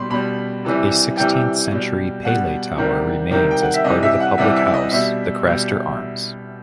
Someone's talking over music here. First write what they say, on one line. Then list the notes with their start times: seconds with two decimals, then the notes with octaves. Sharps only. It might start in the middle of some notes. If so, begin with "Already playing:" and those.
A sixteenth-century pele tower remains as part of the public house, "The Craster Arms".
Already playing: B2 G3 B5 C6
0.10 B2 G3 B5
0.65 C3 E3 G3
1.17 C3 E3 G3 G5
1.71 B2 G3
2.24 B2 G3 F#5
2.77 C3 D#3 G3
3.31 C3 D#3 G3
3.51 G5
3.62 F#5
3.74 E5
3.84 C3 E3 G3 D#5
4.03 E5
4.20 F#5
4.38 C3 E3 G3 E5
4.56 E5
4.74 D#5
4.91 B2 G3 E5
5.45 B2 G3